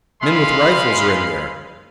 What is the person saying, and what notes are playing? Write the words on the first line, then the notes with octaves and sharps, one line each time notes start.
Men with rifles are in there.
G#3 F5 B5 C6